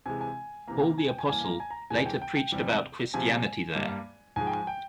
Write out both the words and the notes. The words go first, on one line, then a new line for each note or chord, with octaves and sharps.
Paul the Apostle later preached about Christianity there.
C3 E3 G#3 G#5
G#5
C3 E3 A#3 A#5
G#5
G5
G#5
G2 E3 A#3 G#5
A#5
G#5
A#5
E2 C3 E3 G#3 G#5
G5
G5
G5
E2 C3 E3 G3
C3 F3 G#3 G#5
G2 G3 A#3
G#2 F3 G#3 G#5
G5
G#5
G5